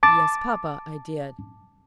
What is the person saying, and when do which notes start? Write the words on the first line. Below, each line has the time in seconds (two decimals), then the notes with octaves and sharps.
"Yes, papa, I did."
0.03 A5 D6 A6